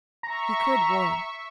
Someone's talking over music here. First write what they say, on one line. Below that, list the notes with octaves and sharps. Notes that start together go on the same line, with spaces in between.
He could warn.
E5 A#5 C#6